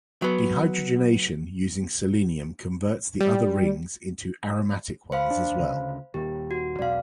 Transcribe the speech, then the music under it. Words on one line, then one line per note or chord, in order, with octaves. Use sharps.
Dehydrogenation using selenium converts the other rings into aromatic ones as well.
F#3 B3
G3
C5 F5 B5
D4
D2 C#3
D#1 D#2 D#3 G4
F#4
B1 E2 B2 D5 F5